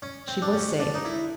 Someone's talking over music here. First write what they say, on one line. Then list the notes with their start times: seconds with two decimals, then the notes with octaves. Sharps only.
She was safe.
0.02 C#4
0.28 C4
0.42 D4
0.53 C#4
0.80 D4
0.94 D#4
1.05 E4